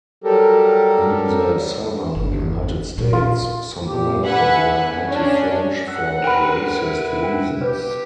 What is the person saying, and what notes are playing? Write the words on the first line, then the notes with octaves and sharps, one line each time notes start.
In the Southern United States, some Americans were anti-French for racist reasons.
F#3 G3 G4 A4 A#4
G1 E2
A#2
A#1 F4
A#2 G4
B4 E5 F#5 G#5
C#4 D4
F#5 E6
A#4 B4 G5 B5
E4 F#5
G5
G4 B4